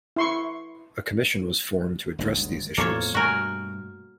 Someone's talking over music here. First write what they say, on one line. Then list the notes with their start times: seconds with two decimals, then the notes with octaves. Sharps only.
A commission was formed to address these issues.
0.16 E4 C6 C#6
2.19 G1 D2 G#2
2.78 E2 A2 F3 A#3 A4 C#5
3.15 G2 B2 A3 F#4 A#4 G#5